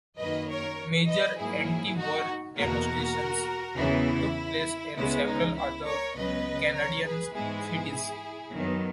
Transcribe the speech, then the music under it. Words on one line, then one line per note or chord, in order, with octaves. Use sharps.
Major anti-war demonstrations took place in several other Canadian cities.
F#2 D#3 A#3 B4 D#5
A#4 C#5
B4 D#5
G#2 F#3 A#3 E4 G#4
D#4 F#4
E2 B2 A#3 F#4 A#4
E2 C#3 E3 B3 E4
C#2 C#3 G#3 B3 E4
D#4
E4
A#4 C#5
C#2 C#3 F#3 B3 B4 D#5
A#4 C#5
G#4 B4
G#2 E3 G#3 B3 E4 G#4
F#2 D#3 F#3 B3